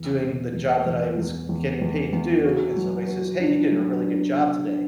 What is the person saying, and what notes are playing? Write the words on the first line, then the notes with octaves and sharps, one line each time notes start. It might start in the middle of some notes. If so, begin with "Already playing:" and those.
doing the job that I was getting paid to do and somebody says, "Hey, you did a really good job today,"
Already playing: E2
B2
E2
E2
E2
E2
E2
E2
F#4
F#3
F#4
D4
F#3
D4
D4
D4